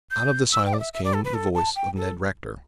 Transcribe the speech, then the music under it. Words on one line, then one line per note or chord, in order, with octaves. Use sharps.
Out of the silence came the voice of Ned Rector.
G6
E6
G5
D5
E5
E5
D5
A4
B4
A4
A5
G5
A4